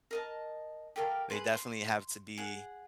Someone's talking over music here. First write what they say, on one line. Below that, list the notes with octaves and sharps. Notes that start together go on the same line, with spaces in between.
they definitely have to be
A#4 D#5 A5
G4 A4 A#4 F5
G#4 B4 C6
C6
G#4 F#5